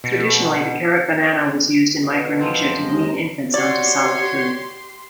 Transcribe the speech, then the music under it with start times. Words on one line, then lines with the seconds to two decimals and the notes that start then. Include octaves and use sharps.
Traditionally, the Karat banana was used in Micronesia to wean infants onto solid food.
0.04 B2
2.03 B2
2.41 F#2 F3 C4
2.81 D#2 G#3 D#5
3.54 F#4 G4 C#5 D5 C6